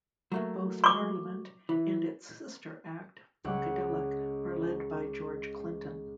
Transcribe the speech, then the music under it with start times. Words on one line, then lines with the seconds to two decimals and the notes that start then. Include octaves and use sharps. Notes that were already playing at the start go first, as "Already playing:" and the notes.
Both Parliament and its sister act, Funkadelic, are led by George Clinton.
0.32 F#3 A3 A#3
0.84 C#6 D6
1.69 E3
3.44 C#2 F#5